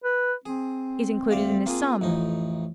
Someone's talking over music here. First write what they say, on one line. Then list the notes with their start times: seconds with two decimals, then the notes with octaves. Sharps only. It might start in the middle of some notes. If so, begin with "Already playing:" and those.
"Is included in this sum."
0.04 B4
0.46 C4 G#4
1.31 D2 D5 F5
1.66 A#3 F4 G#4
2.01 A1 F2 D#4